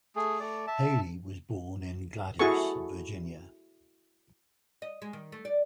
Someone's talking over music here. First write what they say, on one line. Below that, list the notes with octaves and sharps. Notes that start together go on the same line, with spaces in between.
Haley was born in Gladys, Virginia.
A3 G#4
A3 D5
E5 A5
E4 F#4 G#4 A4 A5 C#6
D#5
G#3
D#3
A3
D5